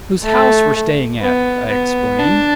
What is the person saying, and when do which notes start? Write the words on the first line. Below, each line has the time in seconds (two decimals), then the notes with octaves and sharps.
"Whose house we're staying at," I explained.
0.24 A3
1.21 B3
1.70 B3
2.19 D4